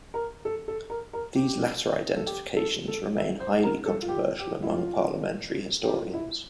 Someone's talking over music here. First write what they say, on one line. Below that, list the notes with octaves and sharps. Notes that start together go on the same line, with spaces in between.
These latter identifications remain highly controversial among parliamentary historians.
A#4
A4
A4
A#4
A#4
G4
A4
G4
A4
A4
E5
C5
A#4
A4
F4
G4
G4
E4
F4
G4
F4
E4